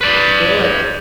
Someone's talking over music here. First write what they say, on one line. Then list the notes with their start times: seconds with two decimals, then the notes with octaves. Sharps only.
"Spill it."
0.01 B4 D5